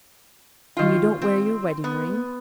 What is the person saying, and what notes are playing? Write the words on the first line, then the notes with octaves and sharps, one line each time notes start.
"And you don't wear your wedding-ring?"
D#3 F4
C4
B3